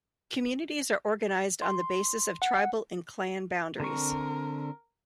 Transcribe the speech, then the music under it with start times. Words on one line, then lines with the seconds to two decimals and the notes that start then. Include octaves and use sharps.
Communities are organized on the basis of tribal and clan boundaries.
1.62 C6
2.42 F#5
3.80 D3 C4 A#4 C#6